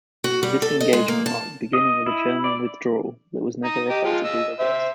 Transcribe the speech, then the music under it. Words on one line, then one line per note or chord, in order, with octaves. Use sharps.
This engagement marked the beginning of a German withdrawal that was never effectively reversed.
F#4
G3
A4
D#5
G#3
A#3
A5
D#5
E4
D5
A#5 D#6
G4 D#5
F3 G#3 F4
D#5 E6
C5 E5